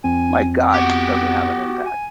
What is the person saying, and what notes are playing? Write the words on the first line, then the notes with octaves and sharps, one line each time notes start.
my god, does it have an impact.
F2 C4 G#5
B3 F#4 G4 F#5
G#5